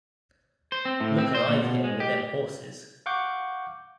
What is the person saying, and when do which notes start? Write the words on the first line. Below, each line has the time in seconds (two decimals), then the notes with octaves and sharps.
Look alive here with them horses!
0.72 C5
0.85 C4
1.00 A2
1.18 C4
1.35 C5
1.48 A#2
1.62 B2
1.84 G#3
2.00 G4
3.06 F5 F#5 C#6 D6 G6